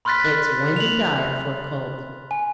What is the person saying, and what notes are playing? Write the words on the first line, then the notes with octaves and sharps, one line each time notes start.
It's windy diet for a colt.'
B5 C6 F6 F#6 A6 B6
F7 F#7
G#5